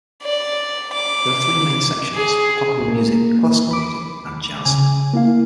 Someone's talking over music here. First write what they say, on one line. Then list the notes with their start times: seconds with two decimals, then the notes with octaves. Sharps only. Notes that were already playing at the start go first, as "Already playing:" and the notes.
There are three main sections - popular music, classical music, and jazz.
0.23 D5
0.93 D6
2.15 G#4
2.88 A#3
3.71 B5 D6
4.65 C#3 G#5
5.13 A#3 E4 F5